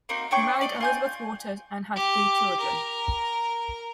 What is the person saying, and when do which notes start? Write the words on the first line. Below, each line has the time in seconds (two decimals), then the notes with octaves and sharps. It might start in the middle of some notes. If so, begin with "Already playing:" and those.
He married Elizabeth Waters and had three children.
0.09 A#3 C4 D#4 F#4
0.31 D4 C#5 G5 C#6
0.61 D5 D#5
0.81 F4 G#5 G6
1.96 G4
2.60 A#4